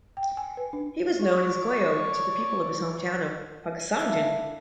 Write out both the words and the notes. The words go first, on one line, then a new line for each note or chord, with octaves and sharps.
He was known as "Goyo" to the people of his home town of Pagsanjan.
G5
G#5
B4
D4
C#5 D5
G#5
D4 E4 A4 B4 F5